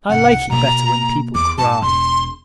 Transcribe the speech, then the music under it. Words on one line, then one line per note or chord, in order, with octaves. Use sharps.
I like it better when people cry.
C2 G#2 F#5
B2 A#3 A#5
E2 D6
G#2 A5
E1 C6